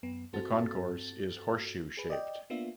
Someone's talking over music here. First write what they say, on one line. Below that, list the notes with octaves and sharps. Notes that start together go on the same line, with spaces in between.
The concourse is horseshoe-shaped.
F#2 B3
G2 C4 F#4 A4 A6
G#4 B4
D5 D#5 G5
A#3 B3 D4 F4 E5